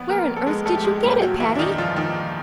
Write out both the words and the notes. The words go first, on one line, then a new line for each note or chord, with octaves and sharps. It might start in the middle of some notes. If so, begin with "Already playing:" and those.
"Where on earth did you get it, Patty?"
Already playing: A#1 B3 B4
A#3 A#4
A#1
A4
G#3 G#4
A#1 A3 A4
G4
G#3 G#4
A#2 G3 G4
G4
F#3 F#4
G1 E3 E4
D4
D#3 D#4
G1 F3 F4
D#3 D#4
G1